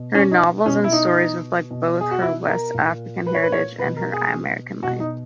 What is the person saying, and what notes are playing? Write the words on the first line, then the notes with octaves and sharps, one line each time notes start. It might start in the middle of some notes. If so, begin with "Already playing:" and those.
Her novels and stories reflect both her West African heritage and her American life.
Already playing: B2
C#4
D#4
B2 C#4
E4
D#4
B2
G#4
F#4
E4
A#4
A#2
B4
C#5
B4
C#5
B2 B4
A#4
G#4
B2 F#4
D#4